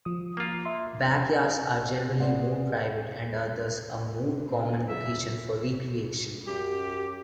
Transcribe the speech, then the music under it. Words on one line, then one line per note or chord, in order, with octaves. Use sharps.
Backyards are generally more private and are thus a more common location for recreation.
F3 D#6
A#3 F4
E5 C6
G#4 B4 C5 D5 F#5
B2 C4
C#3 E3 F#3 E5
F#2 G4